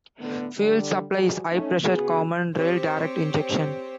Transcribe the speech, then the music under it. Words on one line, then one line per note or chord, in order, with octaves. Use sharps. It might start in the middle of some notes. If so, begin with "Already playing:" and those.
Fuel supply is high-pressure common rail direct injection.
A2 D3 A3 B3
D3 G3
F3 G3 F#4 G#4
A3 C#4 D#4
C#3 B3 F#4 G#4
C4 G4 C5 C#5